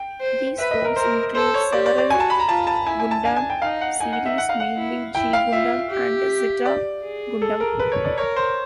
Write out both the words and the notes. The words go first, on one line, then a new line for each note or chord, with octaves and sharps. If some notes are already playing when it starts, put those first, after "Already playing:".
These roles include several "Gundam" series, mainly "G Gundam" and "Zeta Gundam".
Already playing: G5
C5
B4 E5
D#5
A#4
A#4 C5
A4 C5
C#5
G4 D5
D5
D5
F#4 G#5
A5
B5
A#5
F4 A5
A5
E4 G#5
G#5
A5
D4 G#5
G#5
G5
D#4 F5
F#5
D#4 G#5
F#5
E5
F#5
F5
F#5
E4
E4 G5
F5
F4 E5
G4
D5
G#4
A4
A#4
B4
C#5
D5
A#4 C#5
C5